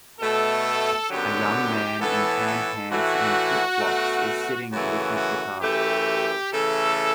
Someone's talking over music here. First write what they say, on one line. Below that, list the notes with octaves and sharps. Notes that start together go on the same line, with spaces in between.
A young man in tan pants and flipflops is sitting with his guitar.
B2 A3 A4
F#2 D3 F#3 B3 G4
A2 E3 B3 A4
A4
A2 E3 A3 F#4
B2 A3
F#2 C#3 E3 A3 F#4
F#4
F#2 E3 A3 G4
C#3 E3 A3 A4